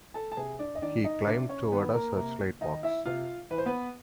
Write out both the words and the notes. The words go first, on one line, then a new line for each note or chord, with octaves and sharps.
He climbed toward a searchlight box.
A4 A5
A5
C3 G#4 G#5
D4 D5
D#5
D#3 D4 D5
D#4 D#5
C3 D4 D5
C#4 C#5
D#3 B3 B4
A#3 A#4
C3 A#3 A#4
D#3 D#4 D#5
E4 E5
C3 F4 F5
E3 B4
C5
B3 B4